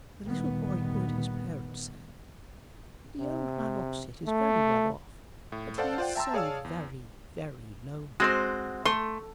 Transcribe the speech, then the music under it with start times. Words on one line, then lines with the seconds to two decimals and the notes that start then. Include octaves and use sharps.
The little boy heard his parents say, "The old man opposite is very well off, but he is so very, very lonely!"
0.22 D2 A#2 D#3 G3 B3
3.20 C3
4.27 A3
5.52 A2
5.78 A4 C5 D5 F5 F#5 A5
5.98 F4 C5 D5 F#5 G5
6.16 E5 G5 A5 A#5 C6 E6
6.34 G#4 C#5 D5 F5 A5 E6
6.65 E2
8.20 G#3 C4 F#4 C5
8.85 A3 C6